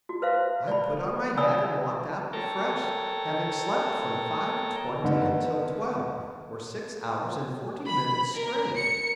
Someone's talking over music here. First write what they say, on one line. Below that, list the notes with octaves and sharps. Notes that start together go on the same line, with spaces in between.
I put on my hat and walked out refreshed, having slept from five-twenty until twelve, or six hours and forty minutes straight.
F#4
B4 C5 E5 F5
D5 B5
C#5 D5 G#5 B5 D#6 E6
A4 A#4 C#5 G5 A5 A#5
D3 D#3 B3
B5
A#4
C#7